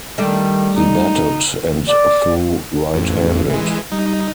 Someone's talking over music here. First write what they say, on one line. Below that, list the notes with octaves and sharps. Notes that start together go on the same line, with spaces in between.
He batted and threw right-handed.
D#3 G3 A3 D4
D#4
D5
A1 F2
E3 G#3
G3 D#4